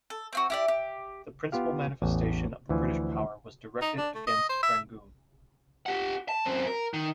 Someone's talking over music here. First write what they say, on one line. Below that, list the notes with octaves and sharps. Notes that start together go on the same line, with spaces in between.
The principal manifestation of the British power was directed against Rangoon.
A4
C4 F4 F#4
E4 G4 D5
G4
B3 F4 G4 F5
A1 E2
D2 E3 F3 G#5
D#4
D4
A3
D#5
C5
E5
G4 F#5
A5
F#2 C4
A#4
D#3